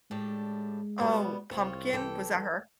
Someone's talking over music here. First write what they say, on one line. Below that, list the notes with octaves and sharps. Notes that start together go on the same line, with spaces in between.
Oh, Pumpkin? Was that her?
A2 G#3 D4 G4
B2 G3 B3
C2 C4 F4 C#5
E3 A4 G5